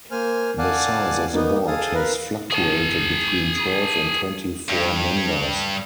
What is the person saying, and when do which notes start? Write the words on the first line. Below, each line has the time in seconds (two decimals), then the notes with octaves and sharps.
The size of the board has fluctuated between twelve and twenty-four members.
0.11 A#3 C5 G#5 F6
0.58 D5 F5 F#5 G#5 A5
1.33 A#3 B3 D#4
1.67 G#4 A4 F5 D#6
1.94 A#4 B4 F5
2.51 G#4 A5
4.70 G2